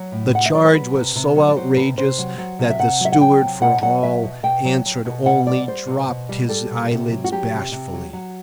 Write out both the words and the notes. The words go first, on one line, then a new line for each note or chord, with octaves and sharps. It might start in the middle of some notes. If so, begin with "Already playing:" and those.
The charge was so outrageous that the steward for all answer only dropped his eyelids bashfully.
Already playing: F#3
A2
C3 F#5
E5
F#3 D5
C5
F#3 B4
C3
C3
F#3
D5
F#3 C5
C3 B4
C3 C5
F#3
F#3
C3
E5
C3 F#5
F#3 E5
F#5
F#3 G5
C3
B2 F#5
F#3 F#5
F#3 E5
B2
B2 G5
F#3
F#3
B2
B2 F#5
G3 D5
G3 C5
B2
B2
G3
G3 A4
B2
C3
F#3
F#4
F#3 G4
C3
C3
F#3
F#3